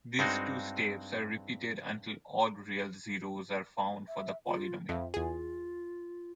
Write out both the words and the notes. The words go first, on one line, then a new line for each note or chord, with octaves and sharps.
These two steps are repeated until all real zeros are found for the polynomial.
G2 G#3 C4 D#4 F#4
E5
F4
F2 E5
E2 F4 G#4